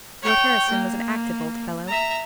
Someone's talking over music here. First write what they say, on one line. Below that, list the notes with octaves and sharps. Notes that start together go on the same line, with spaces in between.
Lord Herriston was an active old fellow.
C#5 G5
A#3
E5 A#5